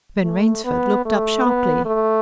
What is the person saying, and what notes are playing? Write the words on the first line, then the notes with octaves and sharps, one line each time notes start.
Ben Rainsford looked up sharply.
A3
B3
A3
B3
A3